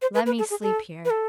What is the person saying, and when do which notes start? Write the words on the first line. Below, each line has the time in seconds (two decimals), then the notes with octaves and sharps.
"Let me sleep here."
0.02 C5
0.14 B4
0.26 B4
0.39 A4
0.50 G#4
0.62 A4
1.05 B4
1.10 A4